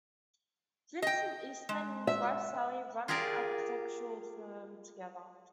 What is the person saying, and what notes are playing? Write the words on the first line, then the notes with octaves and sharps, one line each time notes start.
Vincent Eastman and his wife, Sally, run an architectural firm together.
D#5 G5
G#3
E5
F4 G4 G#4 A#4 D5